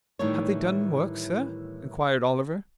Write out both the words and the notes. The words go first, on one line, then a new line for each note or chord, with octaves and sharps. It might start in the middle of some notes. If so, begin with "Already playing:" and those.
'Have they done work, sir?' inquired Oliver.
A2 D#3 E3 G3 A4 C#5